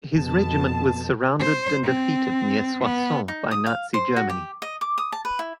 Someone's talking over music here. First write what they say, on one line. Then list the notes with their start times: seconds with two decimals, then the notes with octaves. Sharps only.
His regiment was surrounded and defeated near Soissons by Nazi Germany.
0.15 F2 B2 A5
1.40 C5
1.83 C4
2.83 B3
3.28 D#4
3.51 D#6
3.66 F5
3.94 C5
4.16 F#4
4.29 G4
4.62 D#5
4.81 D6
4.98 D#6
5.12 A5
5.25 B4
5.39 E4